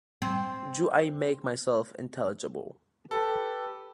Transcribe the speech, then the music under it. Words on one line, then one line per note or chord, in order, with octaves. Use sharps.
Do I make myself intelligible?
C4
G4 A4 B4